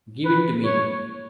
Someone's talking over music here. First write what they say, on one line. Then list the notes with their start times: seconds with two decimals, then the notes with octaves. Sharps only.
Give it to me!
0.25 B4
0.65 C#5